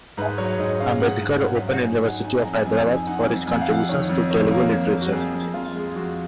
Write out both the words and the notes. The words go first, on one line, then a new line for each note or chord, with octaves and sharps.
Ambedkar Open University of Hyderabad, for his contributions to Telugu literature.
G#2 B4
F#3 C#5
G#2 D#5
C#4 F5
C#4 F#5
G#2
G#2 F#5
F#3
D#4 G#5
D#4 F#5
D#4 G#5
F2 A#5
F2 G#5
D#4
G#5
D#4 F#5
F2
F2 G#5
F#5
F5
F2 F#5
D#3 C#5
F2
D#3 C#5
A#3
F2
A#3
F#4
F2 G#4
F2
F2 F4
G#3
F2 F#4